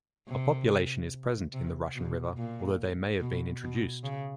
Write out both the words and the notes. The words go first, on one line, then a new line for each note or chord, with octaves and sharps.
A population is present in the Russian River, although they may have been introduced.
C3
C3
B2
A#2
B2
B2
C#3